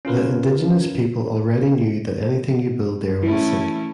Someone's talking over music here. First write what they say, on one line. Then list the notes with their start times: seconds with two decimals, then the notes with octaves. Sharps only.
The indigenous people already knew that anything you build there will sink!
0.05 C#4 F4 A#4 B4
3.23 E3 A3 C#4 E4